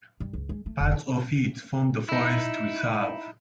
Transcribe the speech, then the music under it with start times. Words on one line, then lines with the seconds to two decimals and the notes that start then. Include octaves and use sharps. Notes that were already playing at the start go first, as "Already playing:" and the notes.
Parts of it form the Forest Reserve.
0.20 G2
0.33 C#2
0.49 G#3
0.66 A3
0.80 F1
2.09 D#4 E4